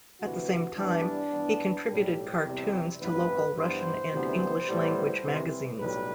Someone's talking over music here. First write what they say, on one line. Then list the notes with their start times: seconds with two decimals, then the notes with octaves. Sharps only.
At the same time, he contributed cartoons to local Russian and English-language magazines.
0.20 D2 C3 E3 F#4
0.76 G2 E3 G3 B3 D4
1.32 G2 E3 B3
1.88 B1 A2 G3 G4
2.44 E2 C3 G3 C4
3.00 A1 G2 E3 B3 B4
3.56 G2 E3 B3 C5
4.12 D2 C3 E3 G3 B3
4.67 A2 G3 B3
5.24 C2 C3 E3
5.80 B1 A2 G3 B4